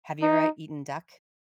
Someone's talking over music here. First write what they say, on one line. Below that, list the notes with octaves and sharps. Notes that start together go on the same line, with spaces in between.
Have you ever eaten duck?
D#4